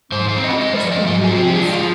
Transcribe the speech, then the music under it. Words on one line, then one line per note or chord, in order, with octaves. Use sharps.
Yeah, I used to use
G#2 C5
C5
C4
D#5
G#3 D#5
D5
F3
D#5
G#2 D#5
G#4
C4
G4
G#3 D4
F4
F3